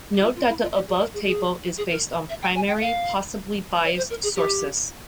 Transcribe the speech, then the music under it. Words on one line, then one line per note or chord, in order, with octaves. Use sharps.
Note that the above table is based on primary, possibly biased, sources.
G4
F4
F4
E4
F4
G4
G#4
A#4
G#4
G#4
G#4
A#4
E5
G5
G#5
G5
E5
F5
C#5
C5
A#4
G#4
G4